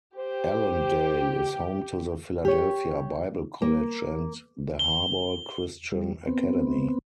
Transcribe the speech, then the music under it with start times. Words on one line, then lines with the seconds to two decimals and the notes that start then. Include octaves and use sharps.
Ellendale is home to the Philadelphia Bible College and the Harbor Christian Academy.
0.17 G4 C5
2.45 G4 C#5
3.62 A#3
4.79 G7
5.92 G3
6.26 B3 C4